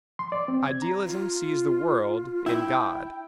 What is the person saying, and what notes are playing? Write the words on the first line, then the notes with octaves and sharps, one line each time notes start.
Idealism sees the world in God.
C6
D5
C4
G#6
A#5
F4
E4 G5